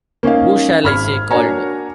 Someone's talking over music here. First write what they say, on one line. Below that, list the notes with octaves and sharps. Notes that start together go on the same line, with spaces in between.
Who shall I say called?
A#3 C#4 D#4 F5
G#1 B5 F6 G#6
A#3 D4 F#4 C#5 G#5 A#5